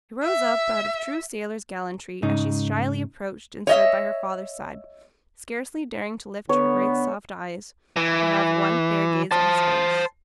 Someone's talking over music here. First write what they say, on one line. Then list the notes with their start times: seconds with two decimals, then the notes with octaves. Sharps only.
He rose up out of true sailor's gallantry, as she shyly approached and stood by her father's side, scarcely daring to lift her great soft eyes, to have one fair gaze at his face.
0.23 E5
2.22 G#2 C#3 D#4
3.67 C#5 D#5 E5
6.49 D3 B3 C#5
7.96 E3
9.31 C5 A5